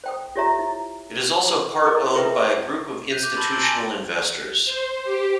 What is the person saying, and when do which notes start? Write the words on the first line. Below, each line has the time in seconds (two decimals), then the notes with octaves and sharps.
It is also part-owned by a group of institutional investors.
0.04 C5 G5 D#6
0.36 F4 G4 C#5 E5 A#5
0.59 E4
1.86 E4 G#4 A#4 D#5 D6 D#6
2.15 F4 G#4 B4 E5 G5 D#6
3.08 F#6 G6 B6 D#7
3.23 D6
3.36 A5 B5 C6 E6 A6 F#7
3.50 A#5 C6 E6 A6 D7 F#7
3.61 G#5 A5
4.65 C5
5.04 G4